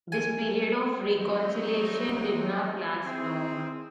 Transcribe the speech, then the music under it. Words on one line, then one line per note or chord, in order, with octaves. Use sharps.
This period of reconciliation did not last long.
G#5
F#3 G3 A3 C4 D#4 F#4
C4 E4 G#4